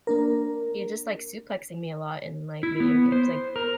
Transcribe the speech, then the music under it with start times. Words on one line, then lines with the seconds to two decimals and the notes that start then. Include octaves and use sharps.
he's just, like, suplexing me a lot in, like, video games, like
0.07 A#3 D4 A#4
2.63 E4
2.80 B3
3.12 C5
3.56 A#4